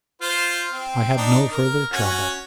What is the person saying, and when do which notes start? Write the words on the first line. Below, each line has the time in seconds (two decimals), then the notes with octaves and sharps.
I had no further trouble.
0.22 F4 C5
0.72 C4
1.17 D4 D#4
1.51 A#4
1.92 C#4 F#4 C#5